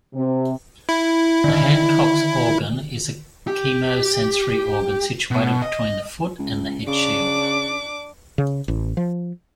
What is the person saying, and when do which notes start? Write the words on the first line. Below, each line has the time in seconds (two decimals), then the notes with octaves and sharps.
The Hancock's organ is a chemosensory organ situated between the foot and the headshield.
0.15 C3
0.89 E4
1.44 D3 D#3
3.47 G4
5.31 B2
5.62 D#5
6.39 C#2
6.87 C#3 D4 D6
8.38 C#3
8.68 A1
8.97 F3